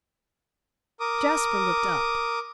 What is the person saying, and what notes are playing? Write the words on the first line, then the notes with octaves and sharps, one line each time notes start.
Jasper looked up.
A#4 D6 D#6